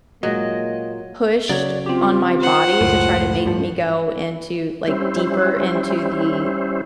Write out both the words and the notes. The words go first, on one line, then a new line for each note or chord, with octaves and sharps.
pushed on my body to try to make me go into, like, deeper into the
A#2 F#3 G#3 A#3 D#5
C#3 F#3 C#5 D5
C4 F4 G4
C5 F#5
C#2 F#2 A2
G2 F3
G3 C#4 E4 C5